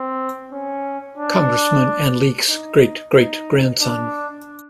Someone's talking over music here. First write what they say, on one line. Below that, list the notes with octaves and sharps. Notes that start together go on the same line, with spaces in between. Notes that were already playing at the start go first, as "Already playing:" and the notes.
Congressman and Leake's great-great-grandson.
Already playing: C4
C#4
D4
D#4
D#4
D4